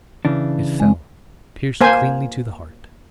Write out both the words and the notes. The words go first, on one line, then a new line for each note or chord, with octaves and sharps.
It fell, pierced cleanly to the heart.
C#3 E3 D4
G#3 C4
A#3 C5 G#5